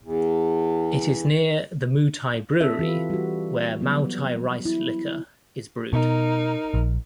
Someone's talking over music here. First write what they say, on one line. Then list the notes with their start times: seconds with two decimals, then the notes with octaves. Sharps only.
It is near the Moutai brewery, where Maotai rice liquor is brewed.
0.01 E2
2.61 C4 A4 E5
2.79 E3 F4 G4 B4
3.10 G3 F#4
3.80 F#3 G3 B3
4.65 E4
5.93 B2 D#4 A#4
6.74 A#1